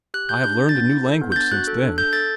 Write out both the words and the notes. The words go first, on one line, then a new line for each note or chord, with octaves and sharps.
I have learned a new language since then.
G4 F#6
G4 G6
D4 G6
D4
A6
B3 G6
E4
A4
B3
G6
D4 A6
F#4 F#6
A4
D4
A4 G6
A4 A6